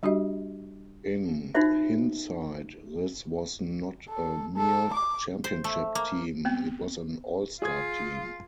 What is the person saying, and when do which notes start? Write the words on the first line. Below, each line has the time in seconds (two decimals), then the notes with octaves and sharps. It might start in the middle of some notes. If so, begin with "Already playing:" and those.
In hindsight, this was not a mere championship team; it was an all-star team.
0.03 G3 D4 F#4 G4 D#5
1.54 D#4 F4 F#4 C5 E5
4.09 A4
4.56 A4
4.94 D6
5.44 C5
5.64 A3
5.95 A#3
6.45 B3 C4
7.62 F4 G#4 D#6 G#6